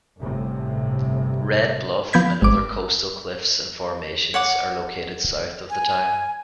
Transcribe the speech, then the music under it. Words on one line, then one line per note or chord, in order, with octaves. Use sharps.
Red Bluff and other coastal cliffs and formations are located south of the town.
G1 A2 C3
F3 B3 G6 G#6 B6
G#1 D6
C#5 F#5 D6
G#5